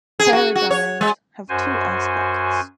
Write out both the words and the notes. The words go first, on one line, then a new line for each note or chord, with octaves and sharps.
Paradigms have two aspects.
G#4
F#4
F#4
C#5
G#3
F#2 F#4 C5 G#5